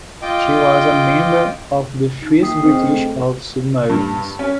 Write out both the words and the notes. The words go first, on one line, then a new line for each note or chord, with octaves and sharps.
She was a member of the first British of submarines.
F4 D#5 G5 D6
D#4
A#3 G5 D#6 B6 C7
C4 G#4 C5 D#5 G5
A3 A4
G2
C#4